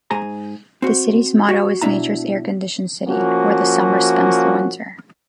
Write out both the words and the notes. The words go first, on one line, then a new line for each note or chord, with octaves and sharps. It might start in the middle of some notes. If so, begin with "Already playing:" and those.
The city's motto is nature's air conditioned city, where the summer spends the winter.
G#2 G#4 A#5
C4 F#4
F#4
B2 D4 E4 A#5
F3 A#3 C#4 F#4